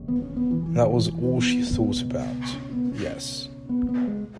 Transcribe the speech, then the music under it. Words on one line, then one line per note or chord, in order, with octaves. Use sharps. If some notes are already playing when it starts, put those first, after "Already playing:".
That was all she thought about, yes.
Already playing: E1 D#2 C#3
B3
C#4
B3
E3
E3
D#3
E3
E3
E3
B3
B3
C#2 B2
C#4
B3
C#4
B3
B3
G#3